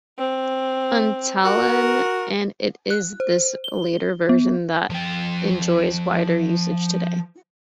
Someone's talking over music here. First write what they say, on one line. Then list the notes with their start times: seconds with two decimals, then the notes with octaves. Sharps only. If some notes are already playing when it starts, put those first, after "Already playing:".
Untalan, and it is this later version that enjoys wider usage today.
0.19 C4
1.44 F#4 A#4
2.90 F#6
3.20 C5
3.64 G7
4.29 B3
4.90 F3 G5